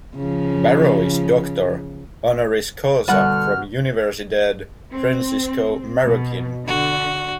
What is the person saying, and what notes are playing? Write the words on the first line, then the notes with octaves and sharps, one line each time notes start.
Barro is doctor "honoris causa" from Universidad Francisco Marroquin.
C#3 F3
B2 D3 G3 F#5 F6
C4
B2
D3 F#4